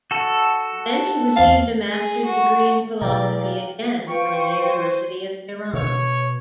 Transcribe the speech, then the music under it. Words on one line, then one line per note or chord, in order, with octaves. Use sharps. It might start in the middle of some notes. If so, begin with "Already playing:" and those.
Then he received a master's degree in philosophy again from the University of Tehran.
F#4 A4
E2 C4 F5 A5
G#4
F#4
E2 B2 F#3 D5 F5 G5 A#5
F4 B4 C5 F5 G5 C#6 D#7
B2 C#5